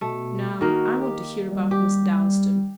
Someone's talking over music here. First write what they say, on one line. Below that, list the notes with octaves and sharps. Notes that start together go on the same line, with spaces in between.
Now I want to hear about Miss Dalstan.
B2 A3
D#3 A#3 F#4
G4
G3
G4